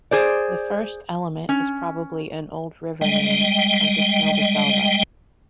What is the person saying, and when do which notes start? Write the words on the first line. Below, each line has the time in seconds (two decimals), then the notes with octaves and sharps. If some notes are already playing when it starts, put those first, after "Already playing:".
The first element is probably an old river name of the Snilldalselva.
0.11 G#4 C5 D5
1.49 C#4
3.01 G3 G#3 D#5 G5